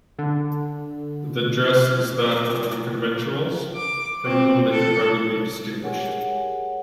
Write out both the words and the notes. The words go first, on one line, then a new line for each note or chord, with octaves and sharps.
The dress is that of the Conventuals, from whom they can hardly be distinguished.
D3
D6
C4
A4
G4 G#4 A#4 C#5 F#5 G#5